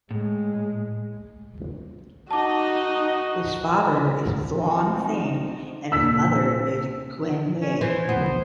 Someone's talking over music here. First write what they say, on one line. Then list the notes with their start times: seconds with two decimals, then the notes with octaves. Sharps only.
His father is Thaung Sein and his mother is Khin Aye.
0.11 A2 G#3
2.31 D#4 F#4 D#5 A5 D6
4.59 C4 D#4 F#4
5.92 A#2 E6 B6
7.61 C#4
7.81 E3 C5
8.09 B3 C5